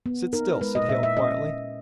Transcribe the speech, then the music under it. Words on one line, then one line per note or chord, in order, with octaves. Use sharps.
"Sit still," said Hale, quietly.
B3
D#4 A#4
G#3 B4
D#5
A#2 E5
E5
C#4 D#5